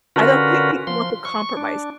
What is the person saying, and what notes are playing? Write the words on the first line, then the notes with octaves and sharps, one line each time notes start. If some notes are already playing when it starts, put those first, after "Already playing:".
I don't think people want to compromise.
D3 C#4 F4 F#4 A#4 B4
F3 C6
C#6
D4